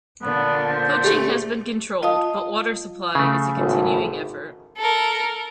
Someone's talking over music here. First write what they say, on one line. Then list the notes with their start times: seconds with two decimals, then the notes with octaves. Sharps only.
Poaching has been controlled but water supply is a continuing effort.
0.22 A#2 D3 B3
0.69 C5
1.04 A3 G4 G#4
2.02 F4 D#5 F5 A5 D#6
3.15 C#3 A3
3.57 G#1 A2
4.77 A4 A#4